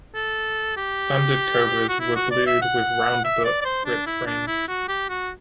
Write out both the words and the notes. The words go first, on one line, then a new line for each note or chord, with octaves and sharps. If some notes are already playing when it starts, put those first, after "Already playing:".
Standard Cobras were blued with round-butt grip frames.
A4
G4
F#4
E4
F#4
D5
E5
F#5
E5
D5
D5
C5
D4
E4
D4
E4
F#4
G4
F#4